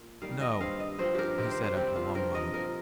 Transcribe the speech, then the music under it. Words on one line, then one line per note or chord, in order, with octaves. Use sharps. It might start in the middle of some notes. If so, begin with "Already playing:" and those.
"No," he said after a long moment.
Already playing: A#2
D#3 G3 A#3 F5
D#5
G2 G3 C4 F5
D#5
G2 F3 C4 C5
G4 A#4
C3 D#3 C4 G4
C5
C5
C3 G3 C4 G4
F4
G2 F3 C4 A#4
D#5
A#2 F3 A#3 A#4